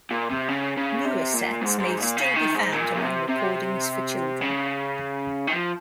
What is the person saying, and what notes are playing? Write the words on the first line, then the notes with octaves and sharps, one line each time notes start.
Newer sets may still be found among recordings for children.
A#2
C3
C#3
C#3
C3
A#2
G#2
G#2
A#2
C#3
D#3
G#2
A#2
C#3
C3
C3
C#3
D#3
F3